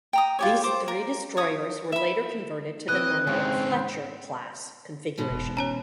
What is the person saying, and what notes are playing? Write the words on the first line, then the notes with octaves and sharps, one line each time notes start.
These three destroyers were later converted to the normal "Fletcher"-class configuration.
G5 A#5 D#6
F4 G4 C#5
C5 D6
A#4
C#5 D#6
E5 B5
E3 C4 D#5 F#6
D#2 G#2 C#3 C4
G#2 B2 E3
F1
C#4 C#5 A5 A#5